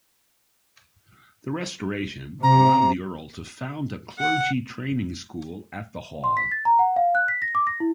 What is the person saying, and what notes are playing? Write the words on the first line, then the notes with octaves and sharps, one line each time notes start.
The restoration allowed the earl to found a clergy training school at the hall.
C3 A#5
F#5
C6
B6
A6
A#5
F#5
F5
F#6
B6
A#6
D6
A#6
E4